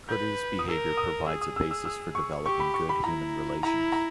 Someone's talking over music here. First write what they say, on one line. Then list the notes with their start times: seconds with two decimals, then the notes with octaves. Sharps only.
Courteous behavior provides a basis for developing good human relations.
0.09 B4 G6
0.59 D#6
0.68 A#4 E6
0.97 D#6
1.27 G#4 E6
1.41 D#6
1.56 E6
1.71 E6
1.85 E6
2.15 C#6
2.45 G4 C#6
2.60 B5
2.74 C#6
2.89 B5
3.04 E4 A#5
3.63 E4 A#5
3.92 A#5